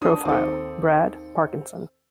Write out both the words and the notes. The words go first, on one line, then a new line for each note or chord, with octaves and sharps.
Profile: Brad Parkinson.
D4 D#6
D#2 C4 A4 D6 D#6